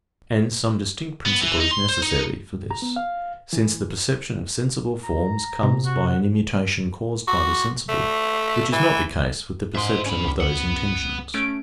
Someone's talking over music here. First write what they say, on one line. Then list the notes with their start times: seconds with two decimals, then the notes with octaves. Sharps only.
And some distinct principle is necessary for this; since the perception of sensible forms comes by an immutation caused by the sensible, which is not the case with the perception of those intentions.
1.25 B3
1.41 E3
1.60 D#4
1.71 C6
1.89 C5
2.02 D#4
2.53 G2
2.71 A#5
2.82 B3
2.96 F5
3.53 E3
5.04 A#5
5.63 C3
5.85 F#4
6.07 F#5
7.28 F#4
7.89 A3
8.72 E3
9.75 G#2 E5 C6
10.06 C#4 B5
10.25 C#2
10.40 B3 F#5
11.34 A3 C#4 D7